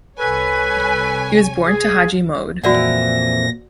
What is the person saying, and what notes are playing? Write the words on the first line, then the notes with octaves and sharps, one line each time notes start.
He was born to Haji Mohd.
C2 A4 B4 C#5 G#5
G#4
F2 A#2 E3 F#4 D5 F#5 A#6